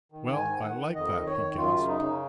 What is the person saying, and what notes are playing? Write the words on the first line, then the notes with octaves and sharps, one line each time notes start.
"Well, I like that!" he gasped.
D#3
G#2 G#5
D#3
F#5
D#3
F2 D#5
D#3
C#5
D#3
F#2 F4
C#3
D#4
C#3